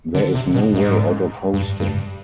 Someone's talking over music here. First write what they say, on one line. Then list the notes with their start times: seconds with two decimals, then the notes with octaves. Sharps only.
There is no way out of hosting.
0.15 D3
0.35 C3
0.54 B2
0.74 G#2
1.54 G2
1.80 G2